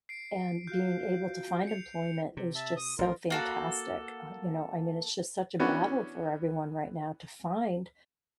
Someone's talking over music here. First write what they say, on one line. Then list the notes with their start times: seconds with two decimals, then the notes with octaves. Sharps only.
and being able to find employment is just so fantastic, uh, you know, I mean, it's just such a battle for everyone right now to find
0.09 C7 D7
0.67 F4 F#4 F5 G6
1.67 C#7 F7
2.37 C3
2.55 E5 A5
2.77 D#6
2.99 A1 F4 A#4
3.30 A#3 F#4 A4
5.59 E3 B3 C#4 D4 F#4